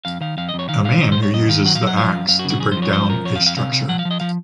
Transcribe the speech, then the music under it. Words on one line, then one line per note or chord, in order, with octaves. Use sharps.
A man who uses the ax to break down a structure.
F2 F5
D#3 F5
F2 F5
D#5
F2
C#5
D#3 F5
G#2 F5
D#3 D#5
C5
G#2
C#5
F#2 D#5
D#3 F5
F#3 F#5
F5
F#3
F#5
F3 F5
F#2
F#2 F5
F#4
C#3
F#4
F#2 G#4
C5
F3
C#5
F#2 C5
F3 A#4
F2 C#5
F5
F2
F5
C3 F5
C3
F3 F#5
F5
F3
D#5
F3 F5